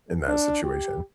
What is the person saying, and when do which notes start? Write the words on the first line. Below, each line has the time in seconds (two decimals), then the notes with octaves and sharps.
in that situation.
0.28 D4
0.64 G4